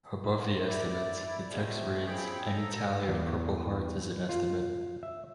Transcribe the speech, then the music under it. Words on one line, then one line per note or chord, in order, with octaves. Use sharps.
Above the estimates, the text reads, Any tally of Purple Hearts is an estimate.
C3
E4 D5
B2 F3 G3 A3
F3 C4 G#4 C#5 G5 B5
A4 A#5
E2
F4
E5